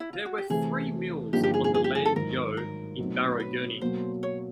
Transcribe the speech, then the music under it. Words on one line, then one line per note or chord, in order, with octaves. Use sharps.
There were three mills on the Land Yeo in Barrow Gurney.
E4
F4
F#4
G4
C3 E3 A3 G#4
G2 D3 F3 A#3 D#4 G4
G4
G#4
G#4
G#4
G4
G#4
A4
G#2 D#3 F#3 A#4
A#4
B2 F#3 A3 C4 D#4
B4
B2 F#3 A#3 C5
C#5